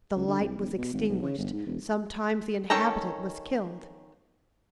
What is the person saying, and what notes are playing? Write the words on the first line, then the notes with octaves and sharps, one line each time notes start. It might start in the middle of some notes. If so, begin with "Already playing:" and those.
The light was extinguished, sometimes the inhabitant was killed.
C#2
D3
C2
E1
B2
G#1
B1
C#3
G1
G#2
E1
D#3 C#4 A4 G5 A#5